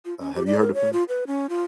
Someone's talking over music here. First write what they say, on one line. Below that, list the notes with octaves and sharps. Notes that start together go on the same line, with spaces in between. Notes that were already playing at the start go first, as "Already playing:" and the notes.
Uh, have you heard of him?
F4
C#4
G4
D5
A#4
C#5
F4
B4
C#4
F4